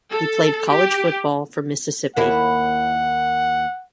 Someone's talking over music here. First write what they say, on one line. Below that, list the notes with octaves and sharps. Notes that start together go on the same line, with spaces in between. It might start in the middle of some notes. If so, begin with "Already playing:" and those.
He played college football for Mississippi.
A4
G4
D#2 A#3 E4 F#5